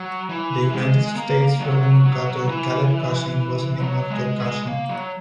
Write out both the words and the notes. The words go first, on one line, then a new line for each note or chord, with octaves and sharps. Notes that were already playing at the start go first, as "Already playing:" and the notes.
The United States Revenue Cutter "Caleb Cushing" was named after Cushing.
Already playing: F#3
E3
G#3
A#3
F#3
F#3
E3
F#3
G#3
G#3
A#3
F#3